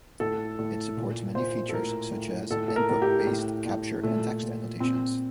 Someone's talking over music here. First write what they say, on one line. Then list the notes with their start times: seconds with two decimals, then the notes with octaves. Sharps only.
It supports many features such as input-based capture and text annotations.
0.20 A2 A4
0.59 A2
0.97 A#2
1.35 A#2 C5
1.57 C5
1.69 A4
1.73 A2 A#4
2.11 A2
2.51 A2 A4
2.68 A4
2.76 A#4
2.89 A2
3.02 G4
3.27 A2
3.66 A2
4.03 A#2 A3
4.42 A#2
4.80 A#2 C4